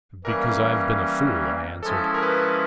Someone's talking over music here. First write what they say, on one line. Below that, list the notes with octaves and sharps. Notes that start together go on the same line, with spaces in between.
"Because I have been a fool," I answered.
E3 G3 A#3 C#4 A#4
F3 G#3 C#4 E4 A4
A#4
B4